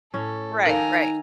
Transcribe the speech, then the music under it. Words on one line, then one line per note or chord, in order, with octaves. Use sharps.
Right, right.
A2 C#4 A4
D#3 D#4 A4 A#4 F5 G5 G#5 A#5